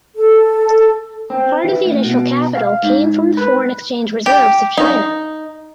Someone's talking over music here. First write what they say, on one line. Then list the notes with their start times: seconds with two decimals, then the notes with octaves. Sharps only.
Part of the initial capital came from the foreign exchange reserves of China.
0.16 A4
1.30 C4
1.64 E3
1.85 A2
2.04 B2
2.55 F5
2.83 G#2
3.37 B4
4.26 G4
4.77 D#4